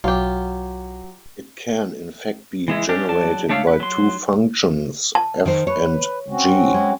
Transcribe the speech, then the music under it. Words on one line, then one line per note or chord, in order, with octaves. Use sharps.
It can in fact be generated by two functions "f" and "g".
B1 F#3 F4 G4
E3 G#3 E4
C#4 D4 G4
F#3 D5 A5
A3 D4 A4 C#5 F5
B4
F#3 C6
A5
D#3 D#4 C5
B4 C#5
C4 C#4 F#4
G#3